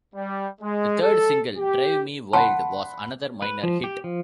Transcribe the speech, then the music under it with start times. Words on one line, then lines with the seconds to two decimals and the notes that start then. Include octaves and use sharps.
The third single, "Drive Me Wild", was another minor hit.
0.14 G3
0.61 G#3
1.02 A4
1.57 G4
2.33 F#5 A5 B5 C6
3.42 B4
3.63 F3
3.84 G4
4.04 F3